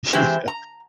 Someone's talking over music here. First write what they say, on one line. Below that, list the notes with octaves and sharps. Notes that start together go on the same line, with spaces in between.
you know,
E3 G#3 C4 E4 G4 C5
A#5